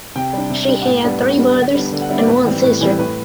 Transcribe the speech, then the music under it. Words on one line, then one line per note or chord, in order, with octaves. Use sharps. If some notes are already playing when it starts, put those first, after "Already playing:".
She had three brothers and one sister.
C3 G5
G3 D4
C3
G3 D4
F#5
A2 G5
G3 B3 D4
A2
G3 B3 D4
D3
G3 B3 D4
D3
F#5
G3 B3 D4 E5
D5
A2 B4
E3 G3 C4
A2 B4
E3 G3 C4
A2 B4